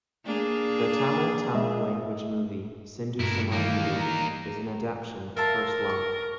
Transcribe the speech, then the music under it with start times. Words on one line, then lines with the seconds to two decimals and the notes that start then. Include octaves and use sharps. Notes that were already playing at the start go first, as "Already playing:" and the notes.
The Tamil Tamil language movie "Sindhu Samaveli" is an adaptation of "First Love".
0.24 A#3 D4 G#4
1.55 G#3 D#5 E5
3.20 G2 A3 E4 A#4 A#5
3.52 D#3 E3 A#3 D#4 F5
3.98 A#5
5.37 F4 A#4 E5 A5
5.89 C#6